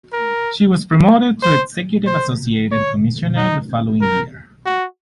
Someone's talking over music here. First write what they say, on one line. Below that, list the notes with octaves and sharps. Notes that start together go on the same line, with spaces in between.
She was promoted to executive associate commissioner the following year.
A#4
C5
C5
C#5
D#4
A#4
F#4